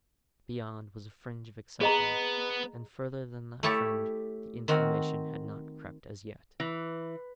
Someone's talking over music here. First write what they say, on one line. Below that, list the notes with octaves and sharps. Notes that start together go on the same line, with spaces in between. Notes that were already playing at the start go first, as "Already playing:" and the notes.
Beyond was a fringe of excitement, and farther than that fringe the inflammation had not crept as yet.
B3 G#4 D#5 A#5
A3 E4 G4 C#5 A5
D#3 C4 F#4
E3